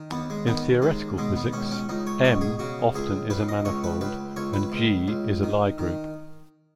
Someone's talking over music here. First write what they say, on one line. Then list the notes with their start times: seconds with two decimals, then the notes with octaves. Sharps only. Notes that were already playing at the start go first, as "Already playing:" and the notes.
In theoretical physics, "M" often is a manifold and "G" is a Lie group.
Already playing: D#3
0.11 D#2 B3
0.30 G#3
0.47 D#3 B3
0.82 D#2 G#3
1.18 B2 G#3
1.36 B3
1.53 C#2 C#4
1.72 C#4
1.89 C#2 D#4
2.07 C#5
2.24 B2 C#5
2.41 G#4
2.59 C#3 F#4
2.95 C#2 G#4
3.30 C#3 B4
3.49 D#5
3.65 C#2 C#5
3.84 B4
4.01 C#2 B4
4.36 C#2 C#5
4.54 B4
4.72 C#2
5.08 C#2
5.43 D#3
5.78 D#3